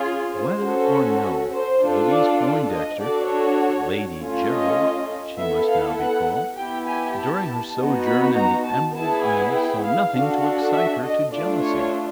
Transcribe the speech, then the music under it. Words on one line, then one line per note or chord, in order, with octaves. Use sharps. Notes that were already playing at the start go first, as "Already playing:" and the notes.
Whether or no, Louise Poindexter--Lady Gerald she must now be called-- during her sojourn in the Emerald Isle saw nothing to excite her to jealousy.
Already playing: C#4 F4 G#4
C5
C#4 F#4 A4
C5
D4 F4 A4
D5
D5
D#5
D4 F#4 A4 D5
C#5
A3 C#4 F4
D#5
B3 E4 A4 E5
F5
F#5
B3 E4 G4 G5
G#5
A5
B3 D#4 F#4
B5
A#5
A5
B3 E4 G#4 A5
G#5
G5
F5
D4 F#4 A4
E5
D#5
A3 D4 F4 D5
C#5